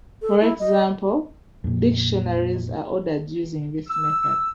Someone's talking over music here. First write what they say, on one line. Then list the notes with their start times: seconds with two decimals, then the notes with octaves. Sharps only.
For example, dictionaries are ordered using this method.
0.22 A4
0.41 E4
0.59 D#5
1.64 F2 A#2
3.88 E6